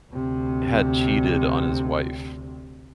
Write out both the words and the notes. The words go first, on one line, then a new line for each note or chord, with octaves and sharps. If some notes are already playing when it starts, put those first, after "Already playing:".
had cheated on his wife.
D2 C3